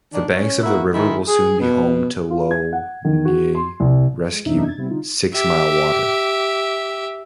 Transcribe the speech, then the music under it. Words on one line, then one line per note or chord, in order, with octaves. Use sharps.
The banks of the river will soon be home to Lough Neagh Rescue Sixmilewater.
D#3 D4
C#4
A#3 E4 F#4
D#3 G#3 E4
G#4
B2
F4
G#6
F#5
D#3
F#4
C6
C2
G#3
F#2 C3 D4 D#4 E5
G#6 A6
C3 G3 B3 C4 E4
D3 D#4 F4
G4 E5